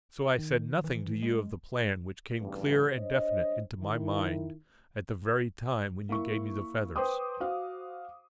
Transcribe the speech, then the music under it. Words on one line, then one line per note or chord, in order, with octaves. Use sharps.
So I said nothing to you of the plan which came clear and definite into my mind at the very time when you gave me the feathers.
D#3
E3
G#3
A1 E2 G2
D4 C5 C#5 D#5
D#3 E4
A#3 E4 C#6
B4 C5 G5 C6 D6 D#6
F#4 C5 F5